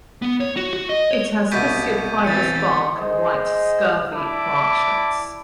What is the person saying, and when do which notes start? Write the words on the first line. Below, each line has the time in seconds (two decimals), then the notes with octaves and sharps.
It has fissured fibrous bark and white scurfy branchlets.
0.22 B3
0.40 C#5
0.57 F#4
0.73 F#4
0.89 D#5
1.11 C#5
1.52 C2 B2 G6 B6 D#7
2.24 E3 C4 A6 C#7
2.98 G#4 C5 D#5
4.13 E4 D5 A5 D6